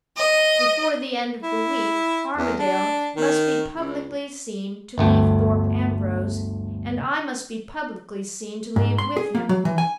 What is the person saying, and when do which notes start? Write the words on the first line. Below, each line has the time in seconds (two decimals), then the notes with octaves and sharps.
Before the end of the week Armadale must be publicly seen to leave Thorpe Ambrose; and I must be publicly seen to leave with him.
0.16 D#5
1.43 E4
2.37 E2
2.59 D4
3.15 D#3
3.73 C#2
4.98 G1 D2 A3 G5
8.76 G#2
8.98 C6
9.17 G#4
9.35 A#3
9.49 F#3
9.65 E3
9.78 G#5